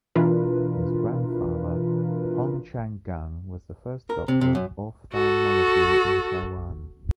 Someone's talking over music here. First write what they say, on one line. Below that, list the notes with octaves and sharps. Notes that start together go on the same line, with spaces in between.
His grandfather, Hong Chang-Gung, was the first Doctor of ophthalmology in Taiwan.
B2 E3 D4 F4 A#4 B4
A#4
C3
C3
F#2
F#4 A4